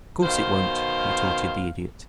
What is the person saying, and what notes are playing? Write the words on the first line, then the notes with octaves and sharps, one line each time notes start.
"Of course it won't," retorted the Idiot.
B2 D#3 C5 F5